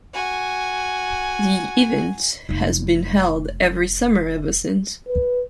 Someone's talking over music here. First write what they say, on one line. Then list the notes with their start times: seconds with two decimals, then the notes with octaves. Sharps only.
The event has been held every summer ever since.
0.14 F#4 G#5
2.49 F1 D#4
5.08 B4